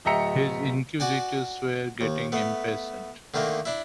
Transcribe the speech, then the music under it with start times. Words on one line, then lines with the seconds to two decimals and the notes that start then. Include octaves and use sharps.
His inquisitors were getting impatient.
0.05 D1 D#5 E5 G5 A#5 C#7
1.00 F#4 D5 G#5
2.01 D#2
2.32 A3 B3
3.34 D3 D#3 A3 A#3
3.65 D4 E4